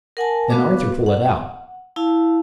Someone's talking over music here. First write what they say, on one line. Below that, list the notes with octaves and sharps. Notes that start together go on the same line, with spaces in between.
Then Arthur pulled it out.
A#4 F#5 G#5 A5
B3 F#4 B4 F5 D6
F#5
E4 F5 A5